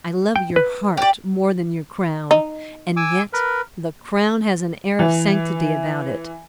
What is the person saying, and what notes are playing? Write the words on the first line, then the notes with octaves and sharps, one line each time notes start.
I love your heart more than your crown, and yet the crown has an air of sanctity about it.
G5
B4
G4 D5
D#4
G#5 D6 E6
A#4 B4
E3